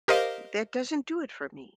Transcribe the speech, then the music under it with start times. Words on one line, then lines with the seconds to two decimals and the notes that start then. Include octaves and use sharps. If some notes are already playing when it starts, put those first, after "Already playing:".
that doesn't do it for me.
0.08 G4 A#4 C5 D#5 F5